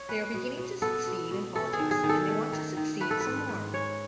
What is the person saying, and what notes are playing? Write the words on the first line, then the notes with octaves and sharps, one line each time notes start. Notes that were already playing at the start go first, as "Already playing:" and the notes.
They are beginning to succeed in politics and they want to succeed some more.
Already playing: C#5
C#4 B4
B2
B2
B3 A4
B2
B2
C#4 A4
G#4
D#3
G#4
D#3
A4
A3
D#3
D#3
A3 B4
A4
G#2 B4
G#2
C#4 C#5